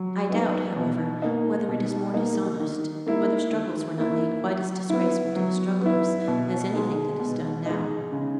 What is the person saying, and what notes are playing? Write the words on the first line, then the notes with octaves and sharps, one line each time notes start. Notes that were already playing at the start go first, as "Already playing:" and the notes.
I doubt, however, whether it is more dishonest, and whether struggles were not made quite as disgraceful to the strugglers as anything that is done now.
Already playing: F#3
B3 D#4
B2
A#3 D#4
B2
A#3 D#4
D#3
A#3 E4
D#3
A#3 E4
F#3
B3 E4
F#3
B3 E4
B2
G#3 D#4
B2
G#3 D#4
C#3